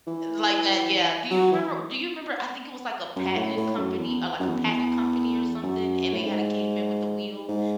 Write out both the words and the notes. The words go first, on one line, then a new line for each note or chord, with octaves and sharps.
Like that, yeah. Do you remember do you remember I think it was, like, a patenting company or, like, a patent company or something, and they had a caveman with the wheel,
E3
F#3
E3
F#2
A2
A2
F#2
E2
F#2
E2
E2
F#2
A2
G#2
G#2